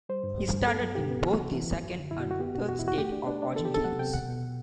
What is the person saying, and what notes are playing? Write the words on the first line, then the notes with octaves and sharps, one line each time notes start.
He started in both the second and third State of Origin games.
G3 C5
G2
G3
G2
B3 A4
F#3
B2 G4
B3
E3 F#4
C3
E3
E3
F#2
D3
F#2 E4
F#4
F#2
F#4
B3 G4
B2 F#4
E2 F#4
E4
E2 F#4
A3 G4
D4
D4
D4
B3 A4
G4
C3 A4
F#3 F#5
C3 G5
B2 F#5
B2